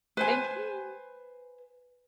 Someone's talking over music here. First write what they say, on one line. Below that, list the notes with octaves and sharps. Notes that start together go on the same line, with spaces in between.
Thank you!
B4 C5 G#5